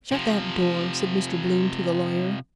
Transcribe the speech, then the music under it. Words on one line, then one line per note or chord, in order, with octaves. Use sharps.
"Shut that door," said Mr. Bloom to the lawyer.
C3 F3